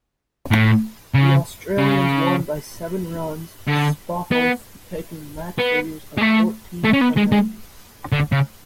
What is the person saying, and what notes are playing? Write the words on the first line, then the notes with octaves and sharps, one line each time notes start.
The Australians won by seven runs, Spofforth taking match figures of fourteen for ninety.
A2
C#3
C#3
D3
B3
B3
G#3
A3
A3
C#4
B3
G#3
G#3
D3
C#3